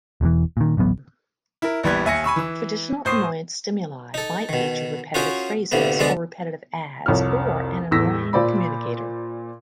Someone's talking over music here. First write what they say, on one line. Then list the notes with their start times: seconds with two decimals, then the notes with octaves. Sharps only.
Traditional annoyance stimuli might feature repetitive phrases or repetitive ads or an annoying communicator.
0.21 E1 E2 G#2 E3
0.57 A#2 D#3
0.77 D1 A1 F#3 B3
1.62 E4 A#4
1.84 A#1 E3 G3 B3 G#6
2.05 D#2 E5 G#5 A#6 C#7
2.24 G#5 B5 C#6 E6
2.36 E3 E6
3.05 A2 C5 D#6 C7
4.14 D#4 A4
4.49 B2 D#3
5.14 C#4 F4 F#4 G#4 A#4 C5
5.72 D2 A2 C3 A#3 B3
5.99 D2 G#3 B3 G#4 D5
7.06 C2 F2 C#5 F6
7.91 E2 A2 E6 A#6 B6
8.33 A#2 C5 D5 B5